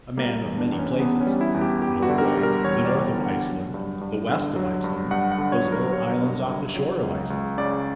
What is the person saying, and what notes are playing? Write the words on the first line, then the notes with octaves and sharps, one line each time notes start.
A man of many places--Norway, the north of Iceland, the west of Iceland, those little islands off the shore of Iceland.
G3 A#3
E2
D4
E2
C#4
D3 B3
C#4
G3
E4
E2
G4
E2 G4
F#4
D3
A#4
G4
G3
A#4
E2 C#5
D5
E2
D3
F#5
F#3
G2
G2
D3
F#3
G2
G2 F#5
F#5
D3
C#5
F#3
A#4
G2 C#5
G2
D3
F#3
C#2
C#2
C#3 D5